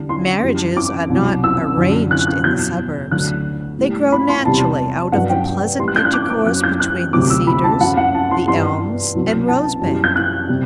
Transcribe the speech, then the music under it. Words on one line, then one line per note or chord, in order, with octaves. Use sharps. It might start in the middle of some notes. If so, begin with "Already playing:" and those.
Marriages are not "arranged" in the suburbs; they grow naturally out of the pleasant intercourse between the Cedars, the Elms, and Rose Bank.
Already playing: E2 D3 G3
C6
F#2 E3 G3
D6
C2 B2 F#3
E6
F#2 D3 F#3
F#6
F#6
E2 B2 F#3 G6
D2 D3 F#3 F#6
A2 G3
B5
C6
E2 C3 G3 A5
G2 F#3 F#5
G5
A2 E3 G3 C6
F#6
G6
F#6
D6
D6
F#2 F#3 F#6
G6
F#6
D2 C3 F#3 D6
E6
B5
A5
F#2 F#3 F#5
F#5
A5
C6
G2 E3 G3 C6
C2 B2 F#3
A5
F#2 E3 G3
G6
F#6
C3 G3